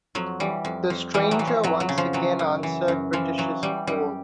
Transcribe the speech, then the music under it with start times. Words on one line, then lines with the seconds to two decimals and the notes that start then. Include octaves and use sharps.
The Stranger once again answered British's call.
0.15 F2 F#3
0.40 E3 G3
0.65 F2
0.90 F2
1.14 E3 G3
1.31 F#3
1.39 E3
1.47 F3
1.63 F2 F#3
1.80 F#3
1.89 C#3
1.98 F3
2.13 E3 F#3
2.39 F#2
2.63 E3
2.88 F#2
3.13 E3 F3
3.38 E3 F#3
3.63 E3 G3
3.87 F#2 G3